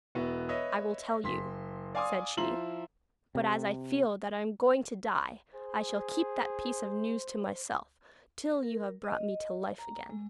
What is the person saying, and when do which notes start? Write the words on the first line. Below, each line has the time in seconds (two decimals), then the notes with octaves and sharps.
'I will tell you,' said she; 'but as I feel that I am going to die I shall keep that piece of news to myself, till you have brought me to life again.'
0.15 E1 B3 E4 F#4
0.49 B4 C#5 D#5 E5
1.24 F#1 C6 B6
1.95 D5 F5 G#5 C6 D6 D#6
2.37 F3 E4 A#5 C6 F#7
3.35 C3
5.55 G#4 C5
8.63 A#4
9.04 D#5
9.79 A#5
10.10 G#3